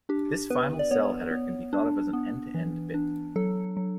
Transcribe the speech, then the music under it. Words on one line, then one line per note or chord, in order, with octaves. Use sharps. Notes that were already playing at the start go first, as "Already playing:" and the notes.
This final cell header can be thought of as an "end-to-end bit".
D4 G4
B3 B4
D5
B3 C#5
B3
D4
B3
E3
D4
F#3 A4
F#3